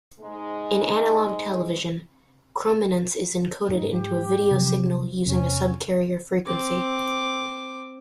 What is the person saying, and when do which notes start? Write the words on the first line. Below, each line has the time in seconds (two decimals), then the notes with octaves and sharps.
In analog television, chrominance is encoded into a video signal using a subcarrier frequency.
0.20 G#2 G#3
3.69 G#2 D#4
3.91 G4
4.51 C3 F3 F#3
5.26 E2 C3 C#4
6.46 C4 D6